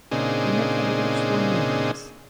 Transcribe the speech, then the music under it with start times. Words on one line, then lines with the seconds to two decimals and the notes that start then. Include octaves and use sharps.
Imitators were numerous.
0.11 A#2 C#3 C4 D4 D#4 G#4